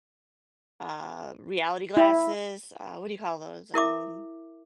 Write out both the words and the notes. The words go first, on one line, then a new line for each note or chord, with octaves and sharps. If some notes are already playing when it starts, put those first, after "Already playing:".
uh, reality glasses? Uh, what do you call those? Um,
E4
E4 A#4 E5 D6